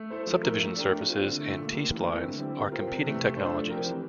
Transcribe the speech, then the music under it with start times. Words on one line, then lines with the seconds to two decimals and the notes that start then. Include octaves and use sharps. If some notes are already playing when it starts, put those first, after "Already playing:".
Subdivision surfaces and T-Splines are competing technologies.
Already playing: A3
0.10 E4 A4 C5
0.27 F3
0.43 A3 E4 A#4
0.59 A3
0.75 D4 G4 A#4
0.91 A3
1.08 C4 F4
1.24 D3
1.40 A3 E4
1.57 A#2
1.73 G3 A#3
1.89 E3
2.06 A3 C4 E4 A#4
2.22 D3
2.38 G3 C4 E4
2.54 G3
2.71 C4 F4 A#4
2.87 C3
3.04 E3 A3
3.20 A3
3.36 D4 A4 C5
3.53 F3
3.69 C4 G4 A#4
3.85 E3